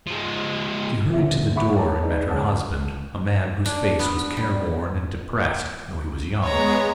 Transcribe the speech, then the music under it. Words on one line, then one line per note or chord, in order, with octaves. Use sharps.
She hurried to the door, and met her husband; a man whose face was careworn and depressed, though he was young.
F3 G#3
D#1 A1 D3 A#3 E5
E4 E5 F#5 B5 C#6 D6
A4 C#5 A5 A#5
D#4 G#4 B4 D5
G#2 C#3 F#5 A5
D4
B3
G3
G#3 B3 C#5 A#5